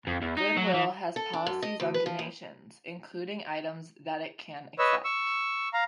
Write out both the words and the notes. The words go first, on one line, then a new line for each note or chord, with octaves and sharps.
Goodwill has policies on donations, including items that it can accept.
F2
E2
D#4
F#3
E3
A4
D4
F#2
D#5
D2
B4
F3
D#2
B4 C#5 D#5 E6
C#6 E6
F5 A#5